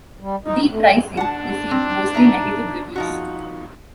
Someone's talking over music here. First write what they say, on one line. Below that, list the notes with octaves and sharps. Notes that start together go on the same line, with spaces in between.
"Deep Rising" received mostly negative reviews.
G3
D#4
A3
D4 F#5 A5
C4
D#4 E5 A#5
F3 D#4 F#4